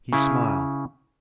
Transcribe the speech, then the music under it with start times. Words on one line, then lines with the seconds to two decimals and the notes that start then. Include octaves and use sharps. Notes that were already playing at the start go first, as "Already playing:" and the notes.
He smiled.
0.13 C#3 E4